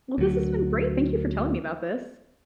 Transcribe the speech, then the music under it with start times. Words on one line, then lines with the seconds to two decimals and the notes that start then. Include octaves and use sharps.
Well, this has been great. Thank you for telling me about this.
0.18 D2 F#3